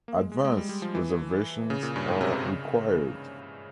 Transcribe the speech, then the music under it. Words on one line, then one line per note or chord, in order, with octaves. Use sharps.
Advance reservations are required.
A#3
G#3
G#3
G#3
G3
G3
F3
E3
C#3
A#2
G2
G#2
C3
C3
C#3